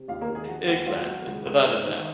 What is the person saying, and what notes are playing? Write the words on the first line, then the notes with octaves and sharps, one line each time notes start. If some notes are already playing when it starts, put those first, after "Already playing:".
exactly, without a doubt.
Already playing: C3
D#2 F4 F5
A#3 A#4
D#2
G#3 G#4
F3 F#4
D#2 F#4
F#3 F4
F#3
C#2
C#2
G#2
D#3